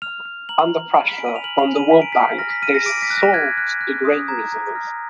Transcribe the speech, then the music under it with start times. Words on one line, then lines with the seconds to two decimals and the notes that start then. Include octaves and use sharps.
Under pressure from the world bank, they sold the grain reserve.
0.02 F6 F7
0.25 F6
0.49 A#5 F#7
0.73 A#5
0.96 B5
1.09 B6
1.18 G#5 D7
1.26 D#7
1.36 F7
1.44 F6 F#7
1.60 F7
1.68 G#5
1.76 D#7
1.91 A#5 B6
2.02 D7
2.12 F6 B6
2.39 F6 A#6
2.50 B6
2.62 F6 D#7
2.74 A#6
2.86 D6 D7
3.02 B6
3.10 F#6
3.18 A#6
3.34 F#6 G#6
3.57 F#6
3.81 F#6
4.05 D#6
4.28 A#5 G#6
4.52 A#5
4.75 F6 A#6